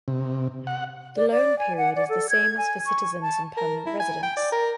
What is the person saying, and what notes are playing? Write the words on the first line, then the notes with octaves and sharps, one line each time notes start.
The loan period is the same as for citizens and Permanent residents.
C3
F#5
D5
D5
G#5
F#5
D5
A4
G#6
G#5
C#6
A5
A#4
E4
G#5
G5
D5
A#4